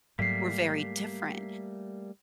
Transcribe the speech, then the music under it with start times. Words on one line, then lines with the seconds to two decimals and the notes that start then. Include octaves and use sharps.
we're very different.
0.19 G#2 F#3 G3 A3 A#3 B6 C7